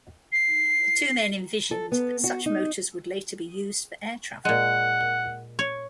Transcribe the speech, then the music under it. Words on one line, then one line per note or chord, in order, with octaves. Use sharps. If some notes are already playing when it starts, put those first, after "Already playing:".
The two men envisioned that such motors would later be used for air travel.
C7
A4
B3
F#4
D#4
A#2 G#3 F#5
C#5